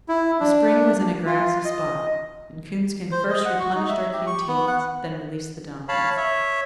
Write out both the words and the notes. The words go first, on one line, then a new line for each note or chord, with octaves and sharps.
The spring was in a grassy spot, and Coonskin first replenished our canteens, then released the donkeys.
E4
D4
F4
D#5
C5
D#5
F#5
F#4
D#4
E5
G4
C#6
B3
F#5
C#5 F5 A5 B5
C#5 E5